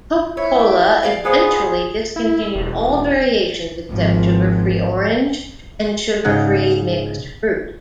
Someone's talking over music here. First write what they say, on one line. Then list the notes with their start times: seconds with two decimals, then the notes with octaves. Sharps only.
Coca-Cola eventually discontinued all variations except sugar-free orange and sugar-free mixed fruit.
0.37 E4 C#5
0.55 A3 G4
1.02 G#4 D5 F5
1.25 B3 G#4 B4 C5 F5
2.16 E4
2.55 E1
3.89 G#1 F3
6.25 G#2 C#3 D#4 F#5